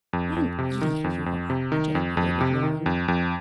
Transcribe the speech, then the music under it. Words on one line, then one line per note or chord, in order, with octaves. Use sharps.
"What an idiot you are!" ejaculated Roland.
F2
F2
C3
D#3
F2
F2
C3
D#3
F2
F2
C3
D#3
F2
F2